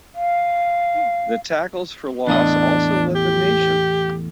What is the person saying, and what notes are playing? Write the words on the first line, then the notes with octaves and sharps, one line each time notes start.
The tackles for loss also led the nation.
F5
E2 A2 D4 D#5
G4